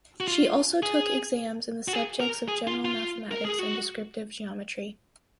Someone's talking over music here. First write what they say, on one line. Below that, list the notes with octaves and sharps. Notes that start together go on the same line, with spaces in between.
She also took exams in the subjects of General Mathematics and Descriptive Geometry.
F#4
F4
G#4
F#4
G#4
A#4
G#4
F4
F4
A#4
G#4
F#4